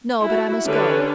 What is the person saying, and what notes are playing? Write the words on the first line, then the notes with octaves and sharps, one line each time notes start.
"No, but I must go."
E4 F#4
D3 C#4 D4 G4 B4 C#5